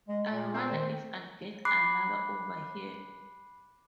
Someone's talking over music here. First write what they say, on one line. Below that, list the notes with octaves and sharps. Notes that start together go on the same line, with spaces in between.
I wonder if I'll get another over here.
G#3
A#2
C4
D#3
B5 D6 F#6 C7